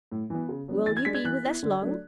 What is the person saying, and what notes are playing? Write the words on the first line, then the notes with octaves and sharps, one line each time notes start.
"Will you be with us long?"
A2
E3 B3
C#3
F#3 B3 D4
E3 A6
G#6
G#3 D4 B6
G#6
E3 F#6
B3 E4
D3
F#3 A3 D4